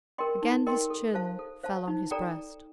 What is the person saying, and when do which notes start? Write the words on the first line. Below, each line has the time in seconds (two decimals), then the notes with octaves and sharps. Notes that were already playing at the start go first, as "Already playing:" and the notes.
Again his chin fell on his breast.
0.18 A#4 D#5 G5 C6
0.42 D#4
0.67 A#4 D#5 G5 C6
0.90 A4
1.14 C5 F5 A5
1.39 A4
1.63 C5 F5 A5
1.88 D#4
2.11 A4 D5 G5 A#5